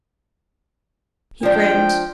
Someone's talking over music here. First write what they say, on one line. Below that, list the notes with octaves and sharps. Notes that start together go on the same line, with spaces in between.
He grinned.
F3 D4 G5